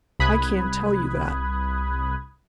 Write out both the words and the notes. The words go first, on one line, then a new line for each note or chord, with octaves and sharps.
"I can't tell you that."
C2 B5 D#6 F#6 G#6